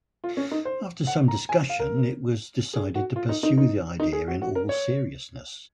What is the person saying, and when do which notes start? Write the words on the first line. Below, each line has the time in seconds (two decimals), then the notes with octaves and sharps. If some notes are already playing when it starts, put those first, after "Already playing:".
After some discussion it was decided to pursue the idea in all seriousness.
0.24 F4
0.37 C#4
0.51 D#4
0.65 C5
1.07 F#5
1.28 A#5
1.49 G#5
1.69 F5
1.80 A#4
2.73 G#4
2.95 F#4
3.16 F4
3.29 D#4
3.43 D#4
3.58 D#4
4.00 D#4
4.13 G#4
4.28 F#4
4.42 F#4
4.55 A#4
4.69 C#5